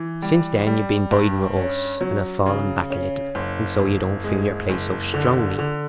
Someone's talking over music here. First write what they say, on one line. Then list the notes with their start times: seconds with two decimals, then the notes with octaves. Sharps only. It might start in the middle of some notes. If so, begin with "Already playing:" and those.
Since then you've been biding with us, and have fallen back a little, and so you don't feel your place so strongly.
Already playing: E3
0.22 G3
0.67 G3
1.11 G2
1.56 C#4
2.01 F#3
2.46 C#3
2.90 C#4
3.35 F#1
3.80 F#1
4.24 G#3
4.69 F#1
5.14 D3
5.59 D3